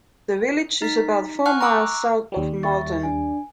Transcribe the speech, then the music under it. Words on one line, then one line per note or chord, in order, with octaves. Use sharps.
The village is about four miles south of Malton.
D#4 B6
F#5 G#5 C#6 F6 F#6
A#5 C#6 D6 E6 F#6
D#2 G3
E5 C#6 A6
D4 G#5